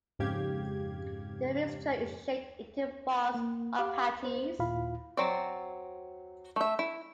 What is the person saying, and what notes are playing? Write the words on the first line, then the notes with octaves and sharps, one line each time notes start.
The mixture is shaped into balls or patties.
F2 G#2 C#3 G4 F5 G#6
A#3
G4 F5 F#5 D6
C5
D#2 A#2 E4 F4 F5 B5
F#3 C4 D5
A3 E5
E4